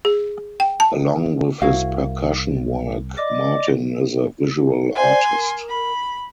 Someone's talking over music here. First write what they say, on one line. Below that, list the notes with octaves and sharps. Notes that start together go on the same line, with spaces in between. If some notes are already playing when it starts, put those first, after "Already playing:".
Along with his percussion work, Martin is a visual artist.
G#4
G5
A5
C2 E4 F#4 F5
D5 D#5 D6
C5 D5 F#5 G#5 C6
A#4
B5